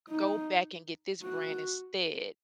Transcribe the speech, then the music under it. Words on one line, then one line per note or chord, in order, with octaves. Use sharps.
go back and get this brand instead.
D#4
F#4